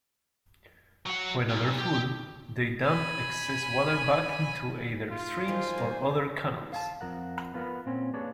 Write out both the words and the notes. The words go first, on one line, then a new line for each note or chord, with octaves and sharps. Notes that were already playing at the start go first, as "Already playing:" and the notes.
When over full, they dump excess water back into either streams or other canals.
F#3 F#5
B1
G4
G#5 B5
F4
D#3 F3 C5 G#5
A#3 G#4
F5 G#5 A5
F2 F3 A#4 F#5
A3 B3 F4 A#4 B4 F#5
A#2 C4 C#4
A#3 D4 G4 G#4 B4 C#5